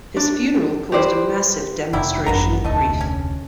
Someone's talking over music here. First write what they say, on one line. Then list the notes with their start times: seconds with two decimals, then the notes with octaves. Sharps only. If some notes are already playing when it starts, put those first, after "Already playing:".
His funeral caused a massive demonstration of grief.
0.17 D4
0.92 G4 B4 C5 D5
1.93 F1 F#3 G3 E4
2.26 G#1 F#2 B3 D4 A#4 A#5
2.65 F1 D2 A3 D#5
3.01 C#4